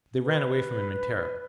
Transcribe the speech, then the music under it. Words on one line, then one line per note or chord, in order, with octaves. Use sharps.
They ran away from him in terror.
B4